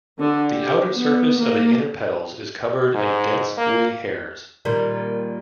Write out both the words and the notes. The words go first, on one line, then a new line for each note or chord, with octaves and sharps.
The outer surface of the inner petals is covered in dense woolly hairs.
D3
G4
B3
A#3
G#2
A#3
A#2 D#3 G3